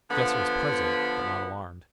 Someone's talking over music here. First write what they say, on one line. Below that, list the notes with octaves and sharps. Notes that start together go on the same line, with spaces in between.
Jesse was puzzled but not alarmed.
D3 F3 B3